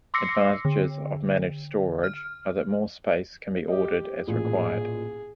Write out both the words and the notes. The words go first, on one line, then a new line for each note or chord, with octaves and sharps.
Advantages of managed storage are that more space can be ordered as required.
C6 D6 E6 A#6 C7 C#7
D3
F6
G4 D#5
A1 A#2 G#4